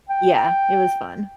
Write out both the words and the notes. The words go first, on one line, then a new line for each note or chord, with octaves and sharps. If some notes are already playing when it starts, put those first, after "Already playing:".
yeah, it was fun.
G5